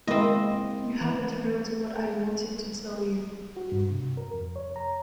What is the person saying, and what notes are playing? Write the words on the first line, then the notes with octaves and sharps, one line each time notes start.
You haven't heard what I wanted to tell you.
G#3 A#3 C4 E4 D#5
E3
F#4
G2
C3
A#4
F2
C#5
A#5